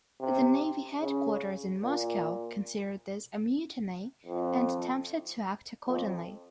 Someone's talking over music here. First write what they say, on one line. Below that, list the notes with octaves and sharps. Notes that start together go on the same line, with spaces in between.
The Navy headquarters in Moscow considered this a mutiny and attempted to act accordingly.
C3
C#3
A#2
F2
F2